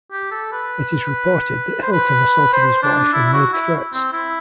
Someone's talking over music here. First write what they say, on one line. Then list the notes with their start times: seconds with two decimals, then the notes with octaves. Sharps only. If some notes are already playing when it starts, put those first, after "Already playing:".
It was reported that Hilton assaulted his wife and made threats.
0.12 G4
0.31 A4
0.52 B4
1.83 C5
1.92 B4
2.53 C5
2.83 D4
3.13 E4
3.33 F#4
3.53 E4
3.93 C4
4.13 E4